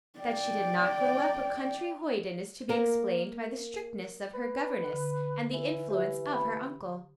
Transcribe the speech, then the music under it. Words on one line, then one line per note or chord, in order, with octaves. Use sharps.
That she did not grow up a country hoyden is to be explained by the strictness of her governess and the influence of her uncle.
D5 G5
A#3 A#4
B4
D3
E3
E3 G4 E5
B5